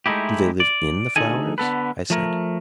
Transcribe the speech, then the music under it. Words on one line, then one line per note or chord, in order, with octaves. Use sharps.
"Do they live IN the flowers?" I said.
G#3 A3 D#4 E4 G4
D5
D2 G#3 D#4 G#4 A4 G#5
D3 B3 A4 B4
F3 A3 A#4